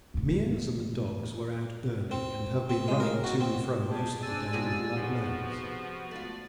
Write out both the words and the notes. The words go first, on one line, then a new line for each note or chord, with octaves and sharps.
Meares and the dogs were out early, and have been running to and fro most of the day with light loads.
E2 A2
C4
C4
G#3
A#4
F#4
C4
G4 G#4 A5
C4 D4 D5 G#5 E6 A6
G#2 C3 G#4
F3 B3 F#4
A3 F4 D5